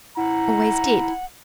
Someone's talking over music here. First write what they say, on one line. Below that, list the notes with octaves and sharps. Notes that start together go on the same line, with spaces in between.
Always did.
E4 F#5 A#5